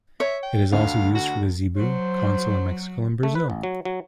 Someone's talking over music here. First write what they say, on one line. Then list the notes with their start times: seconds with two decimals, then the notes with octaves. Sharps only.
It is also used for the Zeebo console in Mexico and Brazil.
0.20 C#5 E5
0.43 G5
0.73 D2 F5
1.15 F#4
1.77 F#3 C5
3.23 A3
3.35 B4
3.50 A1
3.63 F#3
3.85 F#3